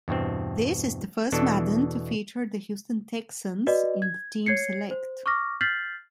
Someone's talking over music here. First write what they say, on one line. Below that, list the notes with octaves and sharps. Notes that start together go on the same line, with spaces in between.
This is the first Madden to feature the Houston Texans in the team select.
E2 G2 B2 C4
E2 B2 E3 D4 A4
F#4 B4 D5 D#5
G#6
C#5 G#6 C7 C#7
C5
C#6 D6 F6 A#6
F6 G6 A6 B6 C7 F#7